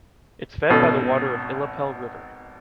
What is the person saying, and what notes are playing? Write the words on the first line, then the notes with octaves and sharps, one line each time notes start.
It’s fed by the water of Illapel river.
G#1 B2 C#4 A4